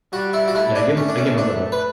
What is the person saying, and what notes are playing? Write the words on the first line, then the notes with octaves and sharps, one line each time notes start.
Yeah, I give him I give him a little.
G3 F#4
E4
F#4
A3 E4
D4
A3 C#4
D4
C#4
D4
B4